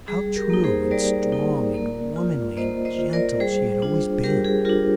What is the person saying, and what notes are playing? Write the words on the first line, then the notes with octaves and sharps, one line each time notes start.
How true and strong and womanly and gentle she had always been!
G3 G#4
G4 A#4
A#3 D#4
G#4 C5
G3 A#4 D5
A#3 D#4
A#3
F4
A#3 C5 D#5
C5 D#5
F4
A#4 D5
G3 G#4 C5
D4 F4
G3 G4 A#4
G#4
D4 F4 G4 A#4